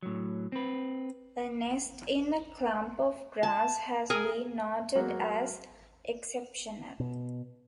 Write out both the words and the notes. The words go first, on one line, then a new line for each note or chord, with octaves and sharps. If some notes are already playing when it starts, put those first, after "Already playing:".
A nest in a clump of grass has been noted as exceptional.
A2 F#3
C4 B4
A5
G#4 A#4 G#5
F#3 G#3 A#3 F#4 B4
B2